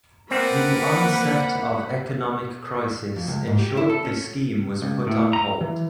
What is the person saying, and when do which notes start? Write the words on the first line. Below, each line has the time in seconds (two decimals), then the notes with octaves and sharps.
The onset of economic crisis ensured the scheme was put on hold.
0.31 A#3 C4 A#4 B4 D5 F#5 B5
3.16 F2
3.28 C#2
3.47 G#2
3.59 G4
3.77 E4
3.90 A4
4.05 C#4
4.82 C#2
5.07 A2
5.33 A#5
5.61 E3